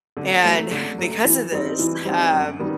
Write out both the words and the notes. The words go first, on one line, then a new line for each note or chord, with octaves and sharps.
and because of this, um,
D3
F#3 A3
D3
F#3 A3
E3
G3 C4 D#4
E3
G3 C4 D#4
F#2
D#3 G3 B3